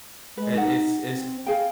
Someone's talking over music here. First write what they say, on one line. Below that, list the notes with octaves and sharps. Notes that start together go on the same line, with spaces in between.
i it's it's
G#3 B4
D#4 F#5
C4
G#4 F5 G5